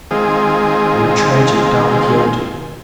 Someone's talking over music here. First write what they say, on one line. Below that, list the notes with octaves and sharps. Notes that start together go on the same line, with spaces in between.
And a tragic Don Quixote.
D#3 G#3 C4 F4 G#4